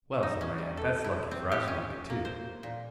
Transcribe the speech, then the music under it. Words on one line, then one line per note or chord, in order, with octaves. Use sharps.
'Well,' said my aunt, 'that's lucky, for I should like it too.
D#4
C#4
G3
A4
E4
C4
G4
C#4
A#3
C5
A#2